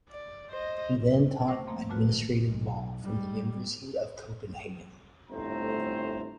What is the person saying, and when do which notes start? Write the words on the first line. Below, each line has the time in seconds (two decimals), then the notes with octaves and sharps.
He then taught administrative law from the University of Copenhagen.
0.10 D5
0.49 C5 D#5
1.47 D#2 A3 C5 C#6 D6 A#6
1.67 B2 F3 G3 A3 A#3 C4
1.90 A#2 F#3 A3 F4 F#4 B4
2.10 C3 D#3
2.46 B1
3.04 G#2 G3
5.30 G1 A2 A3 C4 C5 A#5